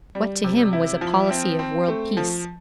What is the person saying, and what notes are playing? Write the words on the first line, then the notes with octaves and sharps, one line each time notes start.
What to him was a policy of world-peace?
G3
C3
E4
F3
C4
C4
A3
F3